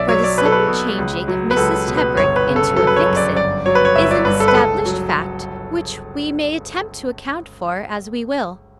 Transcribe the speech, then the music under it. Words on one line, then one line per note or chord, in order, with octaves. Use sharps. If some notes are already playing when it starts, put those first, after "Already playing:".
For the sudden changing of Mrs. Tebrick into a vixen is an established fact which we may attempt to account for as we will.
Already playing: B1 D5 E5
F#3 C#5
D5
B1 B4
A4
B4
B2
C#2
F#3
B4
C#2 A4
B2
B4
G1 C#5
B4
C#3
A4
F#3 A4
B4
C#5
F#2
D5
G1 D5
F#3 C#5
B4
C#5
G1 E5
D5
G2 B4
A4
B4
C#2 A4
F#3